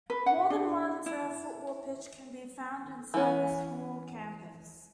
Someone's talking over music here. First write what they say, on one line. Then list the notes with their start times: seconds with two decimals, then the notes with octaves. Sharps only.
More than one turfed football pitch can be found inside the school campus.
0.10 B4
0.26 F#5
0.50 D4
1.06 E4
3.14 E3 C#4